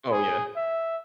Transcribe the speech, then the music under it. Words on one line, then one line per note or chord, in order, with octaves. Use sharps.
Oh, yeah.
G#4
E5